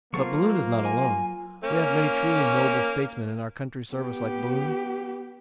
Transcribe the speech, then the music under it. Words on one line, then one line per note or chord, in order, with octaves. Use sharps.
But Balloon is not alone, we have many truly noble statesmen in our country's service like Balloon.
F#3 A#3 F4 A4 C5 C#6
G#5
A#3 C#4
B3 G4